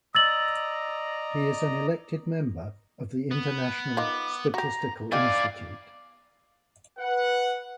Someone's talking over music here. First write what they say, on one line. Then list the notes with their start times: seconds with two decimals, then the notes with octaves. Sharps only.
He is an elected member of the International Statistical Institute.
0.15 D5 D#5 A#5 E6 A6 F#7
3.31 B3
3.97 D#4 F4 A#4 D6
4.54 F#4 G4 A#5
5.12 B3 D#4 E4 G4 D5 F5 G#5
6.99 B4 F#5